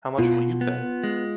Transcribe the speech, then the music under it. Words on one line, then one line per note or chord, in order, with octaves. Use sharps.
How much will you pay?
B2 F4
B3
G#3